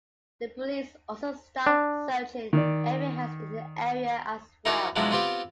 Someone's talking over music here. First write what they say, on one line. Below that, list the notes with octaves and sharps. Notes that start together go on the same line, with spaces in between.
The police also start searching every house in the area as well.
D4
D#3 D5
D#4 E4 F#4 A#4 C#5 D5
B2 F3 F#3 G#3 D4 E4
B3 C4 F4 G4 B4 F5